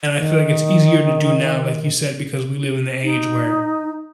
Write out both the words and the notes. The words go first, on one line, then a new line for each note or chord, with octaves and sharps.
And I feel like it's easier to do now, like you said, because we live in the age where,
D#3
D#4